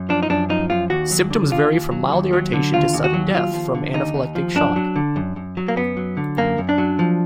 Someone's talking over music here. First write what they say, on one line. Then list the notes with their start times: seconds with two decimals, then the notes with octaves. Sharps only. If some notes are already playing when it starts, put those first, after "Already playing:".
Symptoms vary from mild irritation to sudden death from anaphylactic shock.
Already playing: F#2
0.09 F3 D4
0.23 D#4
0.30 F#2 D4
0.49 F3 D#4
0.70 F#2 F4
0.90 D#2 F#4
1.11 F#3
1.30 D3
1.51 D#2 F4
1.72 D#2
1.91 F#3
2.12 D#2
2.33 F#3
2.53 D3
2.73 D#2 F4
2.93 D#2
3.04 F#4
3.14 F#3
3.34 D#2 F4
3.54 F3
3.75 D3
3.94 D#2 D#4
4.14 D#2
4.35 F3
4.55 F#2 D4
4.76 F#3
4.96 D3
5.16 F#2
5.36 F#2
5.57 F#3
5.68 A#3
5.76 F#2 B3
5.97 F#3
6.17 D3
6.37 F#2 A#3
6.58 F#2
6.69 D4
6.78 F#3
6.99 F3